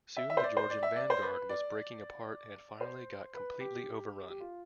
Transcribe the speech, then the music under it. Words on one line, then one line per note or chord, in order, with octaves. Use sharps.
Soon the Georgian vanguard was breaking apart and finally got completely overrun.
E5
E5
C5
D5
C5
D5
E5
D5
C5
B4
D5
C5
B4
G4
G4
F4